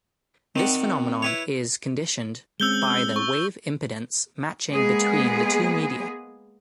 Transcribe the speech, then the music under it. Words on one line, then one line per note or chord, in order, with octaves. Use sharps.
This phenomenon is conditioned by the wave impedance matching between the two media.
D#3 C4 D5 F#5
E4 B4 C#5
G#3 C4 C#4 E6 G6 G7
C#6
G#3 A#3 B3 G#4